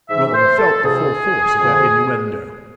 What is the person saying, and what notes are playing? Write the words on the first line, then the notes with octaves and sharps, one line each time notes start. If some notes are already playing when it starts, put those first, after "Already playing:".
Romola felt the full force of that innuendo.
G#2 E3 E5
C5
A4
D2 C3 F3 G#4
F2 D3 F3